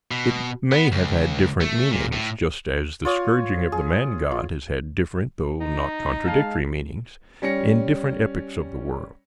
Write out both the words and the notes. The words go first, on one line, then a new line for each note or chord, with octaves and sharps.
It may have had different meanings, just as the scourging of the man-god has had different though not contradictory meanings in different epochs of the world.
B2
B3
C#2
A3
A#2
A2
F4 C#5 D#6
G#4
F4
D#4
G#3 F5 A5
G3 C#4 A#6 C#7